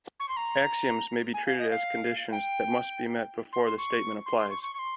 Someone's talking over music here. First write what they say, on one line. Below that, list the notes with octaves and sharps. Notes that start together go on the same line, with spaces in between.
Axioms may be treated as conditions that must be met before the statement applies.
C#6
C6
A#5
G#5
F5
D#5
F5
G5
C6
C6
C#6
C6
C6
C#6
C#6
C#6
C6